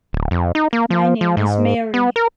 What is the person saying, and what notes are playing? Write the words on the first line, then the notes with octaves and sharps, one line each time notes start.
My name is Mary.
D1
F2
D#4
A#3
F3
F3
G#2
B3
A#4